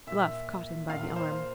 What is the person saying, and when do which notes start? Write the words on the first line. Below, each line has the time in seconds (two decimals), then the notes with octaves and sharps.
Bluff caught him by the arm.
0.07 A#2 E5
0.89 A#2 F5
1.16 C5